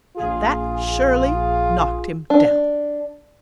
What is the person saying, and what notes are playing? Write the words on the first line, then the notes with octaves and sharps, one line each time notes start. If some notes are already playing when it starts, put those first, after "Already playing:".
At that Shirley knocked him down.
A#1 F4 G#4
D4